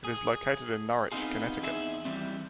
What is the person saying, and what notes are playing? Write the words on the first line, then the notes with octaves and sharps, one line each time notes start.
It is located in Norwich, Connecticut.
G#4
B3 C4 D#4 F4 G#4
E2 D#4 G#4 E5
E3 G3 C4